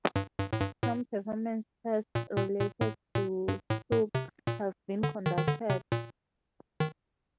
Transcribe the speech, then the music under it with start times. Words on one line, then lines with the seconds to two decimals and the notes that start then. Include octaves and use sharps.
Some performance tests related to cloop have been conducted.
0.16 G2
0.39 G2
0.53 A2
0.61 G2
0.83 A2
2.15 A#2
2.38 A#2
2.60 A#2
2.81 A2
3.15 A#2
3.48 G2
3.70 A2
3.92 A2
4.15 C3
4.47 A#2
5.03 D3
5.26 D#3
5.38 D#3
5.48 D3
5.70 C3
5.92 A#2
6.80 D#3